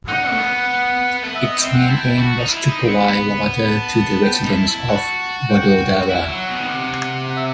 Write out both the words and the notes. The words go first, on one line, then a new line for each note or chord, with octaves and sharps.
Its main aim was to provide water to the residents of Vadodara.
D#4 F#5
A3
B3
A3
B3
E5
D#5
C4 E5
F#5
E4 A5
G5
A5
F#4
D#4
E4 B5
D#4
C4
B3
B3
A5
G5
A5
D#4
E4
E4
F#4
G5
F#4
E4 F#5
E5
F#3 F#5
B2
D#3
C3
F#5
E5